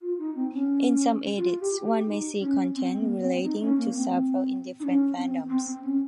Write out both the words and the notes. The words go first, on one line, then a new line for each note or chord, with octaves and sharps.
In some edits, one may see content relating to several different fandoms.
F4
D#4
C4
C#4
F4
G4
G4
D#4
C#4
C4
A#3
C4
D#4
C#4
A#3
C4
D#4
C#4
C4
C4
C4
C#4